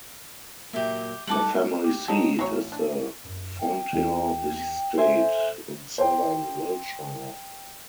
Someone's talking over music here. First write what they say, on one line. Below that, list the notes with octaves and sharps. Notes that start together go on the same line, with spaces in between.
The family seat is the Fonthill estate in southern Wiltshire.
A#2 F#3 A#3 G4 E5
G3 D#4 A4 F#5 A5 D6
G4
F#3 G3 D#4 A4
A1 F#3 C#5
D4
F#2
G5
E2
A4 C5 E5 G#5
C5 G5